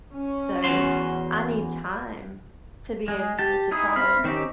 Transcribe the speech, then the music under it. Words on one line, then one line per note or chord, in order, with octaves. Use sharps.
so I need time to be able to try to
C#4
E2 F#4 C6
G#3 G#4
G4 A5
D#4 E4 G#4 D#6
C4 E5 B5 F6
D#3 C4 C#4 D#4 G4